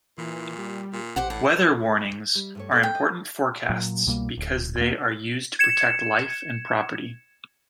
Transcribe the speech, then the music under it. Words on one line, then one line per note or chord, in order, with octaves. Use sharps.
Weather warnings are important forecasts because they are used to protect life and property.
A#2 E3
G3
A#2
A1 G4 C5 F#5
A2 F#5
G3
G2 A3 C#5
B3 A4 C#5
G5
D#5
A#2 F#3
C2 B2 G3 A#3
D1
D#2 A#3
G#6 C#7 E7